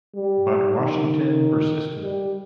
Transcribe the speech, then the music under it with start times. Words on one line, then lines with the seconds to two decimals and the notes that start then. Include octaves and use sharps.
But Washington persisted.
0.15 G3
0.78 D#3
2.03 G3